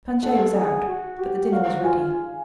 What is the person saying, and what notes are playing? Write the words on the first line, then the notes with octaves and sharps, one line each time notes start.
Planchet was out, but the dinner was ready.
A4 F#5
G#4
F#4
G4
F#4 F5
F4 G#5